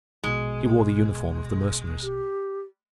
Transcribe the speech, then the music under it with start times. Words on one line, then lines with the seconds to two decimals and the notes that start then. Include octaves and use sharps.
He wore the uniform of the Mercenaries.
0.23 A#1 B2 G#3
2.03 G4